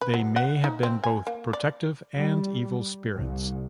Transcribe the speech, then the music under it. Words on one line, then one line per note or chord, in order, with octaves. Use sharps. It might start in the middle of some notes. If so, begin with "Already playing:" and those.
They may have been both protective and evil spirits.
B4
F#3
F#5
D#4
C4
G#5
A#3
D5
G3
C2